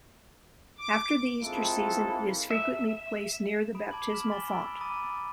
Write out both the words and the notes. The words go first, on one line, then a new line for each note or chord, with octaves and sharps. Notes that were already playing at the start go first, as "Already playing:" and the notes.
After the Easter season, it is frequently placed near the baptismal font.
D6
G#3 A#3 C4 E4 F4 A4
E5
B5 D#6 D7
A5 D6 G#6 F#7
F6 B6 E7 F#7
G#5 A6 G7
B5 E6 D7
A#5 B5 D6 D#6 A6 D#7